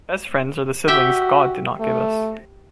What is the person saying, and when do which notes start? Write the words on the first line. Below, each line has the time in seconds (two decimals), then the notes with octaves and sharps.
Best friends are the siblings God did not give us.
0.88 F#4 G4 E5 G5
1.80 A3